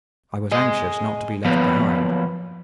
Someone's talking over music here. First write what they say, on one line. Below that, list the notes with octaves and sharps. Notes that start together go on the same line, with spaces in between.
I was anxious not to be left behind.
G#4 D#5
F3 F#3 A#3 B3 B4